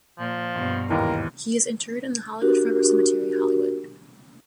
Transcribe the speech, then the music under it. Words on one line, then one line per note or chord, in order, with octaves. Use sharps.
He is interred in the Hollywood Forever Cemetery, Hollywood.
A#2 F3
G2 B2
D#2 G#2 E3 A#4
D4 F#4 G4 A#4